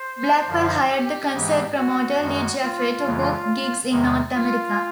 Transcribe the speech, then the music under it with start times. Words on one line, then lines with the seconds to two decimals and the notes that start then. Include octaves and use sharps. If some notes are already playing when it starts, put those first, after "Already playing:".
Blackwell hired the concert promoter Lee Jaffe to book gigs in North America.
Already playing: C5
0.47 F#2 D3 F3
0.90 G4
1.34 G#2 E3 G#3
1.77 F#4
2.19 F#2 D#3 G#3
2.62 F4
3.05 F2 C#3 E3 G#3
3.90 E2 C3 D#3 G#3
4.34 F4